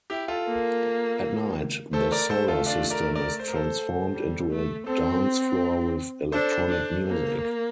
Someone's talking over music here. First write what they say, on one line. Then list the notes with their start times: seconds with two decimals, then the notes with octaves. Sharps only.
At night, the solar system is transformed into a dance floor with electronic music.
0.10 E4 G4
0.28 F4 A4
0.47 A#3
1.93 A3 A4 C5
2.11 A#4 D5
2.29 A3 A4 C5
2.48 F4 A4
2.66 D4 F4
2.90 A#4 D5
3.15 A#4 D5
3.40 C5
3.48 A#4
3.55 A4 C5
4.13 G3
4.50 A3
4.87 C4 A4 C5
6.32 D4 A4 C5
6.70 D4
7.07 A#3